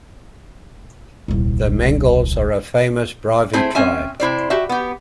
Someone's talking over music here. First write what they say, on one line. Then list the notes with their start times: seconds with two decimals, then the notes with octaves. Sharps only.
The Mengals are a famous Brahvi tribe.
1.28 D#1 C2
3.53 A3 C4 E4 G#4 C5
3.75 C4 C#4 E5 G#5
4.20 C3 E4 C5 D5
4.50 F#4 G4 E5
4.69 B3 G4